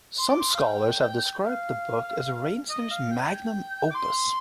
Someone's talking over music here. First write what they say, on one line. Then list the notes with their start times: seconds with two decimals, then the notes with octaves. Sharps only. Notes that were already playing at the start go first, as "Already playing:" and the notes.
Some scholars have described the book as Reisner's magnum opus.
0.18 C6
0.29 D6
0.40 C6
0.54 F5
0.60 G5
1.44 F5
2.69 D#5
2.91 F5
3.11 G5
3.21 G#5
3.29 G5
3.91 D6
3.95 C6